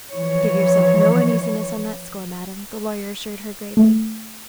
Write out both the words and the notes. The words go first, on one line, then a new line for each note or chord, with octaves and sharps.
"Give yourself no uneasiness on that score, madam," the lawyer assured her gravely.
E3 F3 C#5
A3